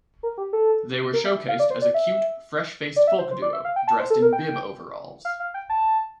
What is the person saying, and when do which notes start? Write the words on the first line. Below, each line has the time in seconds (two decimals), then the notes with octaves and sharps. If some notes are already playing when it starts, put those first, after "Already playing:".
They were showcased as a cute, fresh-faced folk duo dressed in bib overalls.
0.23 A#4
0.38 G4
0.53 A4
1.13 A#4
1.25 E5
1.48 F5
1.59 D5
1.70 C5
1.82 D5
1.94 E5
2.96 D5
3.07 E5
3.19 C5
3.31 C5
3.42 D5
3.53 E5
3.65 F5
3.76 G5
3.88 A5
4.00 C5
4.10 A4
4.22 A#4
4.33 G5
5.25 F5
5.40 F5
5.54 G5
5.70 A5